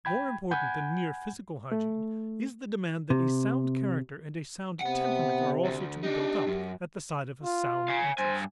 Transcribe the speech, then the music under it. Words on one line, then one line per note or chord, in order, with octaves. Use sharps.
More important than mere physical hygiene is the demand that a sound character and a sound temperament are also to be built up, at the side of a sound interest.
G5 B5 G#6
F#5 G#5 B5 G6 G#6
A3
C3
C3 B3 F#5
D2
D4 D#4 G4
F#2
F4
F5 G#5
G2 C5 G#5